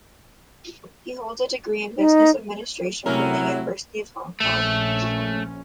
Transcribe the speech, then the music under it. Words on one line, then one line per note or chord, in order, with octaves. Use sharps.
He holds a degree in Business Administration from the University of Hong Kong.
D#4
C3 F#3 A3 C#4 E4 A#4
A#1 A3 C#4